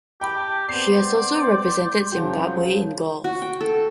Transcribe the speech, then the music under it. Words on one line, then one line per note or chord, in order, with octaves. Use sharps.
She has also represented Zimbabwe in golf.
G4 G5 A5 B5 D6
B3 C4 D5 C6 G6 C7
F1 C#3 F3 F#3 F#4 G5
F#4
G5
A4